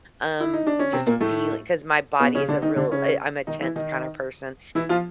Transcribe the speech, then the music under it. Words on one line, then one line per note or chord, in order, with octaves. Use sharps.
Um, just feeling 'cause my body is a real I I'm a tense kinda person.
E4
D#4
D4
C#4
C3 C4
A#2 A#3
A2 A3
B2 B3
C#3 C#4
D3 D4
D#3 D#4
D3 D4
C#3 C#4
D#3 D#4
E3 E4
D#3 D#4
E3 E4
F3 F4